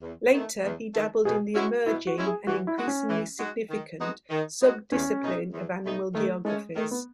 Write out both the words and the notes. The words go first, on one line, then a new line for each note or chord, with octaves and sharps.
Later, he dabbled in the emerging, and increasingly significant, sub-discipline of animal geographies.
E2
D#3 A3
E2
D#3 A3
B2 G#4
G#3 C#4 E4 F#4
B2 E4
F#4
G#3 C#4 E4
G#4
E3 F#4
E4
G#3 D#4 F#4
C#4
E3
G#3 D#4 F#4
D#3
G#3 B3 D#4 F#4
D#3
G#3 B3 D#4 F#4
E2 C#4
B2 A3 D#4
E2
B2 A3 D#4
D#3 A3
G#3 A3 C#4
D#3 A3
B3